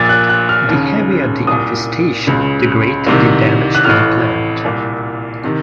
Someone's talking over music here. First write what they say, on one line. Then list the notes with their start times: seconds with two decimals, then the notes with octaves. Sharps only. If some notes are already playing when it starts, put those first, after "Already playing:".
The heavier the infestation, the greater the damage to the plant.
Already playing: A#1 A#2 A6
0.09 F#6
0.29 F#6
0.49 F6
0.69 D#2 C#3
1.47 C2 A#2 D#6
2.27 C#2 C#3
3.07 C2 C3 D#3
3.75 F#6
3.85 A1 A2 F6
4.65 C2 A#2
5.44 C3 D#3